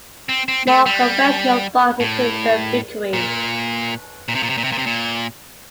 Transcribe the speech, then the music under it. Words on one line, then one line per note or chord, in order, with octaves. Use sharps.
More conventional bars include The Victory.
C4
C4
A3
G3
A2
A#2
A#2
C3
A#2
C3
A#2
C3
A#2
C3
A#2